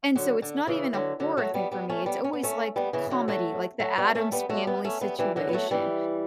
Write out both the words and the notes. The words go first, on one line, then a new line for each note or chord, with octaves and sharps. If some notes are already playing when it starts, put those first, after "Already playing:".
and so it's not even a horror thing for me, it's always like comedy, like the Addams Family situation,
D3 F#3
D3
C#3 E3
D3 F#3
D3 F#3
F#3 A3
G3 B3
G3 B3
A3 C#4
G3 B3
C#4
B3
A3 C#4
G3 B3
C#3 E3
D3 F#3
F#3 A3
F#3 A3
G3 B3
A3 C#4
G3 B3
F#3 A3
G3 B3
A3 C#4
G3 B3
E3 G3
D3 F#3
B3
F#3 A3
E3 G3